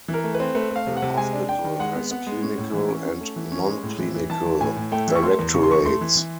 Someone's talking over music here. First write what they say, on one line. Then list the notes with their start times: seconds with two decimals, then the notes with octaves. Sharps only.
The hospital has clinical and non-clinical directorates.
0.08 E3
0.14 A#4
0.24 A3
0.34 B4
0.40 C4
0.55 A3 B4
0.70 A3
0.76 F5
0.87 C3
0.97 F#5
1.02 C3
1.18 G#3 G#5
1.33 D4
1.49 D4 G5
1.64 D#3
1.79 G#3 F#5
1.95 B3
2.11 B3
2.27 G#3
2.42 C#4
2.58 A2
2.74 E3
2.89 C#4
3.05 C#4
3.21 A3
3.36 E3
3.52 C#4
3.67 G#3
3.83 A2
3.98 E3
4.14 E3
4.30 E3 A5
4.46 E3
4.61 A2 G#5
4.76 A2
4.92 A3 G5
5.08 E3
5.15 C#6
5.23 A3 C6
5.39 E2
5.54 C#3 C#6
5.63 C6
5.70 E2 C#6
5.86 A3 C6
6.01 E3
6.17 E3